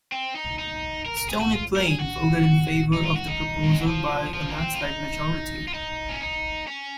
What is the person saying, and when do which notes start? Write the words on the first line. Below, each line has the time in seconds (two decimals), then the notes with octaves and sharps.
Stony Plain voted in favour of the proposal by a landslide majority.
0.12 C4
0.35 D#4
0.59 D#4
1.06 A#4
1.17 A#4
1.29 G#4
1.41 F#4
1.52 F4
1.76 A#4
1.87 G#4
2.00 F#4
2.93 D#4
3.05 F4
3.16 F#4
3.28 D#4
3.63 A#3
3.71 G#3
3.79 F#3
3.87 F3
4.34 F3
4.48 A#3
4.57 C4
4.75 F4
4.80 D#4
5.68 F4
5.74 D#4
6.09 C#4
6.21 D#4
6.67 C#4